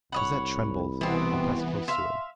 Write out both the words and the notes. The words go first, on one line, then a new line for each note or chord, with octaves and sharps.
Cosette trembled and pressed close to him.
C2 C#5 D#5 F#5 B5
B2 E3 B3 C4
E5 F5 C6